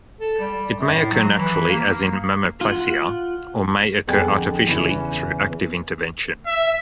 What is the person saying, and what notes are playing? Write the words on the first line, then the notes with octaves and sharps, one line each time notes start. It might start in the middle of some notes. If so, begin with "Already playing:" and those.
It may occur naturally as in mammoplasia or may occur artificially through active intervention.
A4
G3
F#2
A2
F#3
E3
A#3
F4 F#5
F2 D3 B3 G#4 F#5 G5
E2 C#3 E3 E4
E5